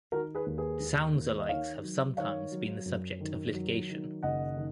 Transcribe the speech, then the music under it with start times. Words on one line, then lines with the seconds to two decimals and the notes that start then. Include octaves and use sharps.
Sounds-alikes have sometimes been the subject of litigation.
0.12 D#3 F#4 A#4
0.35 G#4 B4
0.46 D#2
0.58 G#4 B4
0.80 D#2
1.15 D#2
1.40 D#5
1.49 D#3 C#5 F5
1.83 F#3
2.17 D#3 C#5 F5
2.52 F#3
2.85 F#2
3.21 D#3
3.54 F#3
3.89 D#3
4.23 F#1 D#5 F#5
4.57 D#3